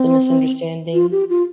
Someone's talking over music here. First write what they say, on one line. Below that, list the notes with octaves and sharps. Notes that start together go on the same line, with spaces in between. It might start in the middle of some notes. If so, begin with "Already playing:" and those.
the misunderstanding?
Already playing: C4
F4
G4
F4